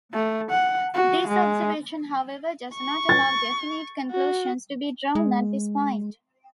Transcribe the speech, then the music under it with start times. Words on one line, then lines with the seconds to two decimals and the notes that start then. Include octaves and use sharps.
This observation however does not allow definite conclusions to be drawn at this point.
0.12 A3
0.51 F#5
0.94 F#4
1.28 G#3
2.74 C#6
3.09 A6
4.11 F#4
5.15 G#3